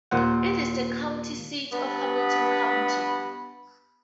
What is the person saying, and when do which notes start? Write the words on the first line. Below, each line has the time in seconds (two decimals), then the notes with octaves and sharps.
It is the county seat of Hamilton County.
0.11 D#2 A#2 C5 F#5
1.72 G2 B3 B5